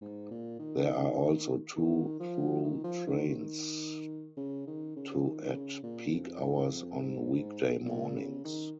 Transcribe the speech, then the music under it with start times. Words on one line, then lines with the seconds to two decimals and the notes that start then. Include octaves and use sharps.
There are also two through trains to at peak hours on weekday mornings.
0.01 G#2
0.31 A#2
0.59 D#3
1.76 D#3
2.20 F3
2.63 D#3
2.84 F3
3.07 D#3
3.28 D#3
4.37 C#3
4.67 D#3
4.96 C#3
5.14 F3
5.24 D#3
5.42 D#3
5.53 C#3
5.83 A#2
6.11 F2
6.41 G#2
6.70 F2
6.99 G#2
7.85 A#2
8.15 C#3
8.45 D#3